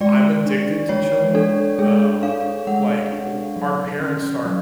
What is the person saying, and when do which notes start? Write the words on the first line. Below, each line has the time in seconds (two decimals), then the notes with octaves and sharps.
I'm addicted to chili. Um. Like, w our parents start
0.01 G#3 D5
0.46 D4
0.89 G#3 C#5
1.34 D4 A4
1.79 G#3 G#4
2.23 D4 F5
2.67 G#3 F#5
3.12 D4
3.56 F#3
4.01 C#4
4.45 F#3